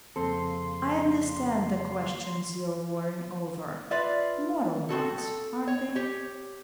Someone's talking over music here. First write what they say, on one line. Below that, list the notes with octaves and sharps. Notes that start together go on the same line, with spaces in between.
I understand the questions you are worrying over--moral ones, aren't they?
F2 C#3 A#3 C4 A4 C6
F4 B4 D5 E5
C4 F#4 A4
A4
C#5
G4 C#5